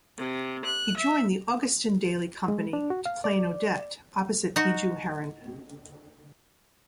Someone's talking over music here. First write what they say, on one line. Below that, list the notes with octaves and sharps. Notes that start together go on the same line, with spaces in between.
He joined the Augustin Daly company to play in "Odette" opposite Bijou Heron.
C3
F#6
E5
G#3
D4
F#4
F5
D5
D#4 F#4